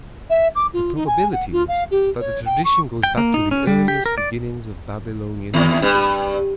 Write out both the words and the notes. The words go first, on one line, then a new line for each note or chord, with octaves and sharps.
The probability is that the tradition goes back to the earliest beginnings of Babylonian history.
E5
D6
F4
D#4
G#5
F#5
F4
F5
G4
C#5
G5
C#6
G5
A#3
D#4
C#4
G3
G4
A#4
D5
D#2
G2